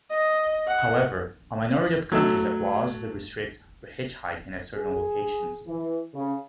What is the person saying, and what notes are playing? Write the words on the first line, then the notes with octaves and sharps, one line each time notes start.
However, a minority of countries have laws that restrict hitchhiking at certain locations.
D#5
F#5
F#3 A3 E6
G#4
E3
C#3